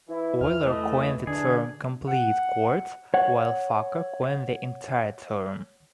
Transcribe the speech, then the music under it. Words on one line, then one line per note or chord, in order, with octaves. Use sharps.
Euler coined the term "complete chord", while Fokker coined the entire term.
E3 E4
E2 F6
A3 D#5
D3 D4 G#4
F#5
C#5 F#5